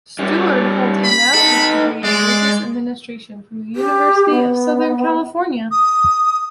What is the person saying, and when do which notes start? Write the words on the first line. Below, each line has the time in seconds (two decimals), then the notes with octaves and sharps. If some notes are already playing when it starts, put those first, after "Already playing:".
Seward holds a master's degree in business administration from the University of Southern California.
0.19 G3 C#4
1.05 B5
1.34 D#4 A4
2.04 G#3 D5
3.76 G4
4.30 B3
5.71 D#6